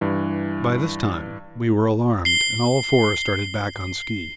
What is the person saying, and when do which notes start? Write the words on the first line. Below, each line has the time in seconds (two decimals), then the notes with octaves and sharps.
By this time we were alarmed, and all four started back on ski.
0.01 G2 E3
2.25 C7 G7